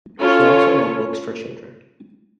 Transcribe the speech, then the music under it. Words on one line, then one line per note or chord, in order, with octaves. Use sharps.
She also wrote books for children.
C#4 F4 A4 C#5